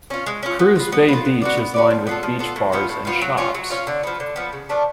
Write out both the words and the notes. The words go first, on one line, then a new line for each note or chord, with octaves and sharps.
Cruz Bay beach is lined with beach bars and shops.
C#4 F4
G#3
C#4 F4
B3
F4 B4
B3
F4 B4
B3
F#4 B4 D5
B3
F#4 B4 D5
F3
B3 F4 A4
F3
B3 F4 A4
A2
F3 B3 F4
A2
F3 B3 F4
F#3
C#4 F4
F#3
C#4 F4
D3
F3 B3
D3
F3 B3
C#3
F3 A3 D4